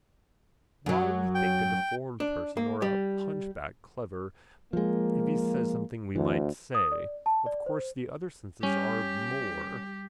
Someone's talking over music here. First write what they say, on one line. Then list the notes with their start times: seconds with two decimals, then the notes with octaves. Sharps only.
Why we think a deformed person or a hunchback clever if he says something we might say. Of course the other senses are more.
0.86 F#2 F#3
1.35 G5
2.20 D4
2.57 A#3
2.82 G3
4.73 F3 G#3 A#3
6.16 D2 E3
6.75 D#6
6.92 D5
7.26 A5
7.46 D5
7.66 C5
8.63 G3 C#4 G4